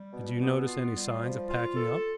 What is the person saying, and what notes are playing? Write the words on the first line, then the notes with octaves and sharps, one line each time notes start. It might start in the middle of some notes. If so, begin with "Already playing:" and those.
'Did you notice any signs of packing up?'
Already playing: G3
B2
B3
F4
G3
F3
F4
A4